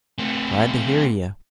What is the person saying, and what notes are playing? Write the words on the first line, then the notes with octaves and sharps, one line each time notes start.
Glad to hear you!
A3 C4